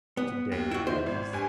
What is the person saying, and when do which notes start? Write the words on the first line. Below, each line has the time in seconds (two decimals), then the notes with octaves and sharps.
Today it is.
0.17 B3
0.52 D#2
0.71 E4 F#4
0.87 D#3 E4 C5
1.06 G#1
1.33 G2 G#5